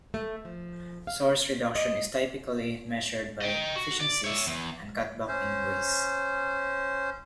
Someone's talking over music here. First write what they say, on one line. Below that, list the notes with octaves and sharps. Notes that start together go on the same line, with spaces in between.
Source reduction is typically measured by efficiencies and cutbacks in waste.
A3
F3
F5
D#5
D#5 G5
F#4
D5
C#5 E5
E2
C#4 C5